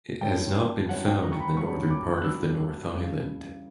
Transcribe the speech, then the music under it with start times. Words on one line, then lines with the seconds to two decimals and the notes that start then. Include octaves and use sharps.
It has not been found in the northern part of the North Island.
0.21 G2 F#3 C#4 E4 G5
0.89 G2 F#3 C#4 E4 F#5
1.06 G5
1.23 A#5
1.32 C#6
1.40 B5
1.56 G2 F#3 C#4 E4 C#6
1.90 D6
2.18 F#6
2.24 G2 F#3 C#4 E4 E6
2.92 C#3 E3 G3